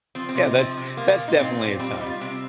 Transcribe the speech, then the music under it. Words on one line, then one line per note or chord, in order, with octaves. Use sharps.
Yeah, that's that's definitely a time.
F3 C4
C4
C3
D#4
F3 C4
C3
F3 A#3
A#2
D#4
A#2 C4
A#2
G3 C4
D#4
G3
F4
C3 C4